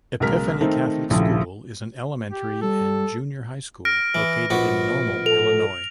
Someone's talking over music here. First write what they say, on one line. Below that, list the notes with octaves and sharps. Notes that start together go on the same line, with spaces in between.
Epiphany Catholic School is an elementary and junior high school located in Normal, Illinois.
B1 C#3 G#3 A#4 F6 B6
D#3 A3 C4 D#4 A#4
D#1 A#1 C#3 F3 A3 E4
G4
G3 A4
F6 A#6 D7
E3
A#1 B3 F#4
A4 F7